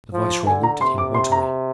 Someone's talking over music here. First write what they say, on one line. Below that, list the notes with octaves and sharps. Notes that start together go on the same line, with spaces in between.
The viceroy looked at him haughtily.
F3
D3 G#5
A#5
C3 C6
D6
C6
A#5